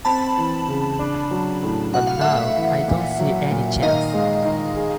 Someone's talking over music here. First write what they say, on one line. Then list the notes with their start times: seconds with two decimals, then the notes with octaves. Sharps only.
But now, I don't see any chance.
0.05 C4 A5 B5
0.37 E3
0.69 C#3
0.99 D4
1.31 F#3
1.63 A2
1.94 F#4 F#5
2.07 F5
2.21 A3 E5 F#5
2.56 E3
2.88 A#2
3.19 F#3
3.51 A#2
3.82 D#3 D#5 F5
4.14 G#3
4.45 D#3
4.76 G#4